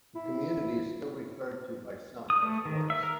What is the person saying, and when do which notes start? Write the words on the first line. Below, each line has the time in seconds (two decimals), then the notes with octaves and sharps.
The community is still referred to by some as Dorris.
0.15 E4
2.30 D#6
2.42 A3
2.65 D#3
2.90 E5
3.03 A#4